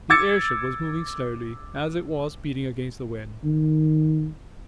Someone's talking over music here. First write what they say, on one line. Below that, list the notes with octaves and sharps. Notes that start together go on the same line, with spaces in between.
The airship was moving slowly, as it was beating against the wind.
D6 E6 G#6 A6 C#7
D#3